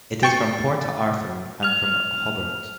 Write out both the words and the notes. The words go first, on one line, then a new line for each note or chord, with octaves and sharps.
It is from Port Arthur, and from Hobart.
G5 C#6 A6 C#7
F6 F7